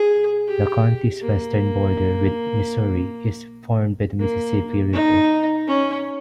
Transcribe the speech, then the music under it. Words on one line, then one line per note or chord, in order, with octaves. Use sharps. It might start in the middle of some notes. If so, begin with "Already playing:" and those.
The county's western border with Missouri is formed by the Mississippi River.
Already playing: G#4
G4
A#3
A#3
D#4
C#4